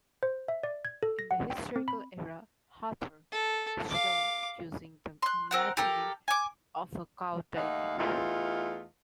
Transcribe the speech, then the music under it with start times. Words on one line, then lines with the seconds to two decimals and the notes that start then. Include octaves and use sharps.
In the historical era Hathor is shown using the imagery of a cow deity.
0.23 C5
0.48 E5
0.63 D5
0.85 G#6
1.03 A4
1.19 A#6
1.31 F#5
1.50 G5
1.76 C4
1.88 B5
3.32 A4
3.90 F5 D6
5.22 C6 F#6
5.51 C4 A#4 F#5
5.77 G4 A4 A#4
6.28 G#5 D6
7.56 D#2 A3 D#4 F5 F#5
7.98 E2 A3 D#4 F4